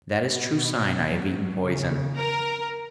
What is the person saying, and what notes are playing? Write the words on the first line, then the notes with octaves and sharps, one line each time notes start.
That is true sign I have eaten poison....
B2
F#3
C#3
A#4